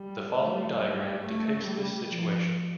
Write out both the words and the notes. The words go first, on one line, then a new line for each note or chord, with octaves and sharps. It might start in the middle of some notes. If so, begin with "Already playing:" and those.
The following diagram depicts this situation.
Already playing: G3
A3
G3
A3
G3
F3